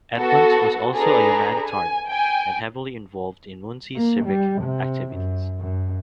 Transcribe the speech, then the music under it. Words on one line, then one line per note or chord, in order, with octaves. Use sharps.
Edmund was also a humanitarian and heavily involved in Muncie's civic activities.
B3 F#4 A4
D4 G#4 A4 B4 A#5
G#5
G5 G#5
A#3
G3
C3
F#2
F#2